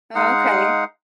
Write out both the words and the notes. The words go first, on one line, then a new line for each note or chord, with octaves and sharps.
Oh, okay.
G#3 D#4 F5 F#5